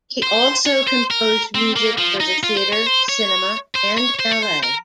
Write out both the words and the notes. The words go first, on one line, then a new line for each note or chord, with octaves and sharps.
He also composed music for the theatre, cinema and ballet.
C5
C#5
C5
A#4
C4
A#3
F3
D#4
F4
C5
C#5
C5
C#5
C5
C#5
C5
C#5
C5
A#4